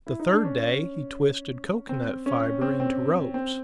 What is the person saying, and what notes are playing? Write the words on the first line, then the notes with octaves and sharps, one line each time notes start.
The third day he twisted cocoanut fiber into ropes.
E4
D#4
D4
C#4
C4
C#4
C4
C4
C4